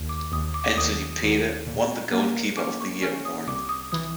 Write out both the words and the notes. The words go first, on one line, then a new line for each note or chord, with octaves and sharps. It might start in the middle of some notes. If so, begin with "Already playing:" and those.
Enzo Di Pede won the 'Goalkeeper of the Year' award.
Already playing: D#2
D6
D#2 D#6
D6
D#2 D#6
D#2
A#2
A#3
C#4 D6
C#6
C#4
D#6
C2 D6
D#6
E3 D#6